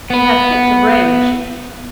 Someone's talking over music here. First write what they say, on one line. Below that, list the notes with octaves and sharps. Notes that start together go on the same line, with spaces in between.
She had fits of rage.
B3 B4